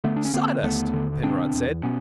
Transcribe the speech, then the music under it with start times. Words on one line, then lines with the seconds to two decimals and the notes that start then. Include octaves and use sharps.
"Sawdust," Penrod said.
0.04 D3 A3 B3
0.16 D4
0.25 C#4
0.33 D3 A#3 C4
0.63 D#2 A3 B3
0.94 D3
1.23 B2 C4 D4
1.54 E2
1.83 B2 B3 C#4